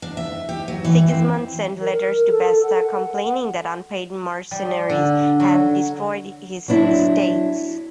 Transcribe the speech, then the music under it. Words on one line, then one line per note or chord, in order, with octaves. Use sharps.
Sigismund sent letters to Basta, complaining that unpaid mercenaries had destroyed his estates.
D4
E5
G4
F#3
E3
C4
A#4
A4
F#5
G3
D3
F#3
F#3 C4 D4 E4